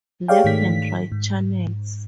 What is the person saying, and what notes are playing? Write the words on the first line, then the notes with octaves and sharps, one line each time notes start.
Left and Right channels.
G4 G#4 C#5 D5 F5 G5
G#2 D#3 A3 B6
G#2